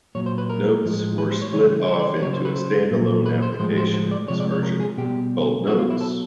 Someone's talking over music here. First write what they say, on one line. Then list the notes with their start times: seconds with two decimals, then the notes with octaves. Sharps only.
Notes were split off into a stand-alone application in this version, called Notes.
0.15 A#2 F#3 C#5
0.26 C5
0.38 B4
0.50 A#4
0.84 A2 F3 G#3
1.18 B4
1.31 C5
1.42 C#5
1.52 C#3 E3 G3 C#5
1.88 C5
2.00 D5
2.22 F#3 C#5
2.26 C#3
2.33 C5
2.45 B4
2.56 C5
2.91 A#2 F#3
3.26 B4
3.42 C5
3.59 A2 F3 G#3 C5
3.78 C5
3.94 C5
4.11 D5
4.28 C3 F3 G#3 C#5
4.40 D5
4.51 C#5
4.63 A#4
4.80 G#4
4.97 B2 G3 G4
5.66 B2 F#3 F#4
5.78 F4
5.90 E4
6.01 A4